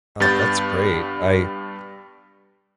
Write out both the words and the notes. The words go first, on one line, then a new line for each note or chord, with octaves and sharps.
Oh, that's great. I
G2 G3 B3 G6 A6